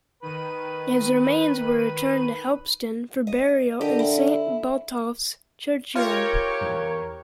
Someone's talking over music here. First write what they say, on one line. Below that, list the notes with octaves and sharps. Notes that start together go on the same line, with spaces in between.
His remains were returned to Helpston for burial in Saint Botolph's churchyard.
D#3 B4 D#7
D#5
D3 G4 A#4 D#5
E4
F4 G4 A#4 C#5 C#6
E2